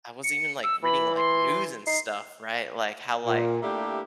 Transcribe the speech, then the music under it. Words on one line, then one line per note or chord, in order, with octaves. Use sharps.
I was even, like, reading, like, news and stuff, right, like, how, like,
C#7
E6
E3 B5
C6
D#4 C7
A#2
A3 A#3 D4 E4 G4